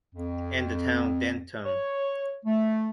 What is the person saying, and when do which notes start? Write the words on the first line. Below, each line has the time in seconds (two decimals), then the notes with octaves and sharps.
And the town, Denton.
0.14 F2
1.65 C#5
2.44 A3